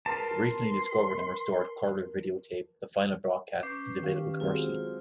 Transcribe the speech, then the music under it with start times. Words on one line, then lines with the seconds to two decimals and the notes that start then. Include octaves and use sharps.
The recently discovered and restored color videotape of the final broadcast is available commercially.
0.06 A#4 B4 A5 C6
3.63 C#4 B4 D6 G6 C7
4.02 D#3 G4 F5
4.40 F#3 G#3 C4 F4